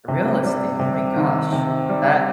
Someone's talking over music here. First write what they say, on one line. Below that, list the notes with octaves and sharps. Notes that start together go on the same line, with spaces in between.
real estate, oh my gosh, that
C3
G3
C3
D#3
C3
G3